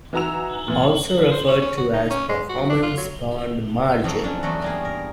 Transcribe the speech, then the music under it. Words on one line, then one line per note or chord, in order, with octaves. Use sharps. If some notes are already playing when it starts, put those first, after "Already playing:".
Also referred to as performance bond margin.
E3 D#4 F#4 A#5 E6 F7
F2 A#2 E3
D3
C5
C#4
C#4
F#4
D#4
C#4
G#3
F#4
D4
F4
F#3
F2 F3 F#3
C#4 D4
E2 F#3 A3 F#4
G3 A#3 G#4
A#4